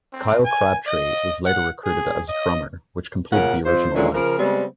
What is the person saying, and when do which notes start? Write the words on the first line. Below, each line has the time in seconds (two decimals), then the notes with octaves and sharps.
Kyle Crabtree was later recruited as drummer which completed the original lineup.
0.13 C4
0.44 G#5
0.86 D#5
1.46 F#5
1.84 G#4
2.28 D#5
3.32 A#2 C#3 C#4 A#4 F#5
3.64 F2 C5
3.94 A#2 D3 E3 G#3 C#4
4.13 C#3 F3 A#4
4.38 C#3 G3 G#3 B3 C4